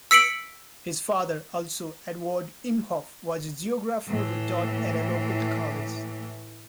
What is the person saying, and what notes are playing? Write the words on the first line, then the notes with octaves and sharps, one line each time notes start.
His father, also Eduard Imhof, was a geographer who taught at a local college.
E6 B6 C#7 D7 F#7
A2 E3